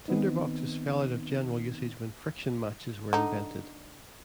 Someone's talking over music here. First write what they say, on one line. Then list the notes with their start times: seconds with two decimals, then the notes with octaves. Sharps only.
Tinderboxes fell out of general usage when friction matches were invented.
0.08 D#3 B3 C4 D#4
3.13 D3 D#4